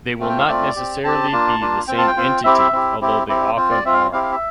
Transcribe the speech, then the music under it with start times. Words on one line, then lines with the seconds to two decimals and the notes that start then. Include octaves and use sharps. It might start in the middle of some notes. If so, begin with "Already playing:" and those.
They will not necessarily be the same entity, although they often are.
0.19 A3 C4 F4
0.29 G5
0.39 F5
0.48 A3 C4 F4 D5
0.76 C4 G4
1.04 C4 G4 A5
1.32 A#3 D4 F4
1.60 A#3 D4 F4
1.88 C4 F4 G5
1.98 A5
2.07 G5
2.17 C4 F4
2.44 C4 E4 G4 E5
2.58 E5
2.72 C4 E4 G4
3.01 C4 E4 G4
3.29 C4 E4 G4
3.57 C4 F4 C5
3.71 D5
3.85 C4 F4 E5
3.94 F5
4.13 C4 E4 G4 F5
4.23 F5
4.32 E5